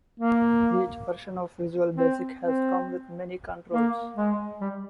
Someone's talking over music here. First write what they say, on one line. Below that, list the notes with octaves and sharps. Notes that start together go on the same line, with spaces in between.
Each version of Visual Basic has come with many controls.
A#3
C4
C4
A#3
G#3
G3